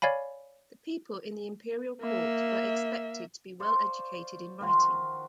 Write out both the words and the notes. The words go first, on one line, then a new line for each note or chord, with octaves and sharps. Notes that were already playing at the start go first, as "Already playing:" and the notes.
The people in the imperial court were expected to be well educated in writing.
C#5 D5 F5 G#5 B5
A#3 E5
C5 D5 F5 C#6
D#3 F3 F4 F#4